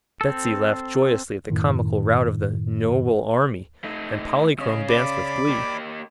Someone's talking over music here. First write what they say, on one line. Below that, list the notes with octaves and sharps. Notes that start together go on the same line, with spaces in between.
Betsy laughed joyously at the comical rout of the "noble army," and Polychrome danced with glee.
C4 A4
F#2 A2 D#3
A3 D#4
C#3 C#4 D#5
D5 B5 D6
A#3 G4